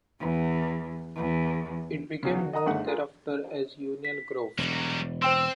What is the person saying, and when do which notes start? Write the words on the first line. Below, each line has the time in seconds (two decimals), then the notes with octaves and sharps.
It became known thereafter as Union Grove.
0.20 E2
1.16 E2
2.23 E2 C#3
2.38 F#4
2.53 D#5 F#5 A#5 D#6
2.66 G1 A3 D#4 G#4 F#5
2.86 F4 G#4 A#4
4.05 B6
4.58 E1 F#3 G3
5.22 C4 C5 G5 C6 E6